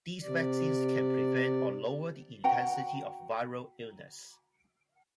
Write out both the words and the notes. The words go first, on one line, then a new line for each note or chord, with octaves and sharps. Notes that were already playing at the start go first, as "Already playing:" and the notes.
These vaccines can prevent or lower the intensity of viral illness.
C3 D5
F#4 F#5 G5 A#5